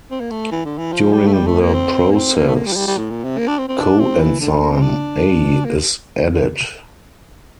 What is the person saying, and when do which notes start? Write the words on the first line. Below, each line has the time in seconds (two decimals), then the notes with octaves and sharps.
During the process, coenzyme A is added.
0.11 C4
0.20 A#3
0.31 A3
0.52 E3
0.65 D3
0.78 E3
0.92 F3
1.13 G3
1.27 A3
1.33 G3
1.47 A3
1.60 A#3
1.74 C4
2.11 A#3
2.15 C4
2.36 A#3
2.48 A3
2.55 A#3
2.66 G3
2.72 F3
2.77 G3
2.87 G3
2.98 A2
3.10 A#2
3.24 C3
3.38 A#3
3.48 D4
3.58 C4
3.68 C4
3.79 D4
4.00 C4
4.20 E3
4.40 D3
4.61 A#3
4.73 C4
4.82 D4
5.65 A#3